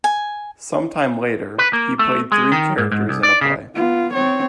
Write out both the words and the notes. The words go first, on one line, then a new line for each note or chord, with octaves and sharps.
Some time later, he played three characters in a play.
G#5
B4
A#3
A3
G#3
D#3
G#2
G#2
C2
D5
C#3
B3 F4
C4 C#5